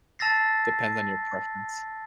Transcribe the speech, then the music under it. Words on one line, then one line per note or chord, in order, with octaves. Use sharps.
depends on your preference.
A5 E6 A6 A#6 C7